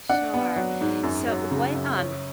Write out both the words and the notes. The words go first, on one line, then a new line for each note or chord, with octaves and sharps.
Sure. So what um,
D4 F#5
B3
F#3
G#2
F#2
F#3
C#3
F#2
C#4